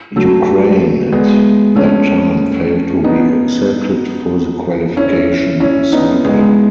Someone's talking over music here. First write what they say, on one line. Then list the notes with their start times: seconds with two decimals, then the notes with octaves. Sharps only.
Ukraine at that time failed to be accepted for the qualification cycle.
0.16 F#3 A3
1.12 G#3 B3
1.76 A3 C#4
3.04 B3 D#4
4.97 C#4 E4
5.60 C#4 E4
5.92 B3 D#4
6.25 G#3 B3